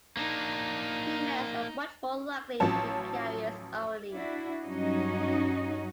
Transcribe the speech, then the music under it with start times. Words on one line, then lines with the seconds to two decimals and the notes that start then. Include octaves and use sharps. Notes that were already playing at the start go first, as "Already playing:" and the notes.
Females are much more likely to be carriers only.
0.17 A#3 D4 D#4
2.60 A1 F3 F#3 C#4 A5
4.13 D4 E4 F#4
4.62 G2 F#3 C#4 D#4 F#4 D#5